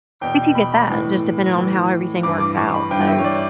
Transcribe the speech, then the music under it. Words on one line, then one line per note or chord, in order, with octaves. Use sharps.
If you get that, just depending on how everything works out, so,
E2 B2 G5
B5
B5
A2 E3
A2 E3
G2 E3 D6
D6
C#6
B5
G2 E3 G5
E5
C#5
D5